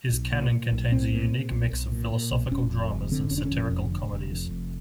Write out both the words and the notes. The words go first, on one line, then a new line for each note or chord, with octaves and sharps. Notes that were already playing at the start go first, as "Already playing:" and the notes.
His canon contains a unique mix of philosophical dramas and satirical comedies.
B1
A#2
A#2
B1
B1 C4
A#2
A#2
B1
B1
A#2
A#2
B1
F1 C#4
F2
F1
D3 C4
F1 C#4
D4
C#4
F2
F1
D3
F1
F2
F1